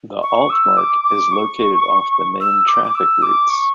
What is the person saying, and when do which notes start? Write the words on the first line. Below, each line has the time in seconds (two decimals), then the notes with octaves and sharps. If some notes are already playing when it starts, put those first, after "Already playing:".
The Altmark is located off the main traffic routes.
0.22 C#6
0.50 E6
0.77 D6
1.04 D6
1.31 C#6
2.40 E6
2.67 D6
2.83 D6
2.95 E6
3.22 D6
3.49 C#6